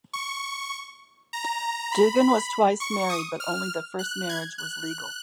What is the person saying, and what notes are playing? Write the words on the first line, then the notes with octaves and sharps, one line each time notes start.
Doogan was twice married, but only the first marriage was legal.
C#6
A#5
B5
C#6
D#6
F6
F#6
G#6
F#6